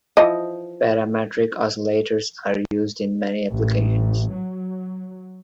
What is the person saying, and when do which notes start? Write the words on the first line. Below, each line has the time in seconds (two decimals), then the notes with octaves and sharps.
Parametric oscillators are used in many applications.
0.17 E3 F3 D#5
3.50 A1
4.31 F#3